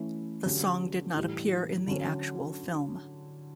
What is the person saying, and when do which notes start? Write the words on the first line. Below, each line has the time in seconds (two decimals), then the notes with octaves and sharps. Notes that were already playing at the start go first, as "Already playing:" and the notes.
The song did not appear in the actual film.
Already playing: E3 A3 C#4 E4
0.45 D3 F#3 C#4 G4
1.16 A2 E3 G3
1.88 D3 F#3 C#4